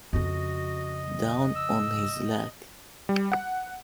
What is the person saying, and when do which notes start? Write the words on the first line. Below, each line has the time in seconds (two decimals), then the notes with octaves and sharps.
Down on his luck.
0.13 F2 C#3 F#4 D#5
1.56 E6
3.09 G3
3.32 F#5